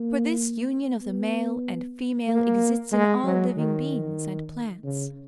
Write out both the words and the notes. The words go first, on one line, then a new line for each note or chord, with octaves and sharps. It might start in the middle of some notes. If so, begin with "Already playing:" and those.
For this union of the male and female exists in all living beings and plants.
Already playing: A#3
B3
A#3
G#3
F#3
D#3
C#3